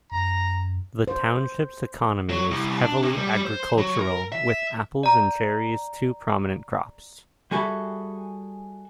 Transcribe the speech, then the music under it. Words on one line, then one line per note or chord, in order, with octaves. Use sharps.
The township's economy is heavily agricultural, with apples and cherries two prominent crops.
F#2 A#5
C5
F#3
C2
D4
C3
G3
C5
F#3
A#4
E5
D5 A#5
G3 F#4 G#4 A4 E5 B5